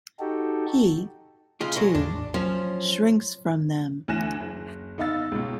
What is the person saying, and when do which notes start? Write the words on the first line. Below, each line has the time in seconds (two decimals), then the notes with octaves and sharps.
He, too, shrinks from them.
0.20 D#4 F#4 G4 A4
1.61 C#3 G#3 F4
1.76 F#3 G#3
1.95 A1 E2 D4
2.34 F3 F#3 C#4
4.08 D2 E3 G#5 F#6 A#6 E7
4.40 F#1
4.98 B3 D#4 D#5 F5 E6 A6
5.32 C#2 B2